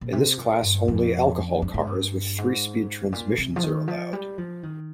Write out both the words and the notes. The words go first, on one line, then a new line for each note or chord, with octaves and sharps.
In this class only alcohol cars with three-speed transmissions are allowed.
A#2
C3
A#2
G2
F2
G2
G#2
G2
G#2
A#2
C3
F3
D#3
F3
G3
F3
D#3